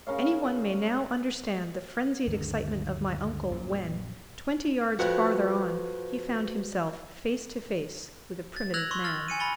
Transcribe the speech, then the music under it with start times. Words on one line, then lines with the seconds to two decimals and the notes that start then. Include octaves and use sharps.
Any one may now understand the frenzied excitement of my uncle, when, twenty yards farther on, he found himself face to face with a primitive man!
0.07 C#3 A#4 C#5 F5
2.27 D2 G2 D3 D#3
3.50 A#1 F#2 A#2
4.99 F2 F#4 B4 C5 F#5
8.56 A6
8.74 E6 F#6 G#6 A#6 F7 F#7
8.91 C6 C#6 E6
9.04 F6 A6
9.28 G#5 C#7 D#7
9.40 B5 A6 G7